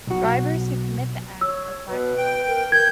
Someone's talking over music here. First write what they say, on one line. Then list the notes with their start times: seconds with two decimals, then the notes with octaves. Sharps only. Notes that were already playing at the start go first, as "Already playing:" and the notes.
Drivers who commit the act are black-flagged.
0.07 B1 F#4
1.41 C#5 E6
1.88 B2 B4
2.17 G5
2.47 A#4
2.72 A#4 G6 G#6